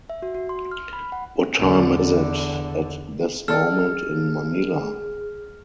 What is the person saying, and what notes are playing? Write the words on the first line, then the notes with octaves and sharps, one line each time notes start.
What time is it at this moment in Manila?
E5
F#4
F#4
C6
F6
B5
F#5
E2 D3
G#4 A4 D5 F6